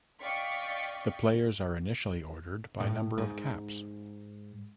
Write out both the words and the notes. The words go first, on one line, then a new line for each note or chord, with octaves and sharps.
The players are initially ordered by number of caps.
D5 D#5 F5 G5 C#6 B6
A2
G#2